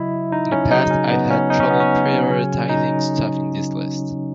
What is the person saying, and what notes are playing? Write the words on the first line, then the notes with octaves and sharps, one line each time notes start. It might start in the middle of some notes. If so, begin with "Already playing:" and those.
In the past I've had trouble prioritizing stuff in this list.
Already playing: C#3 F#3 E4 D#5 E5
D#4
C#4
C#3 F#3 D#4
C#4
B3
C#4
D#4
C#4
B3
C#4
C#3 F#3
D#4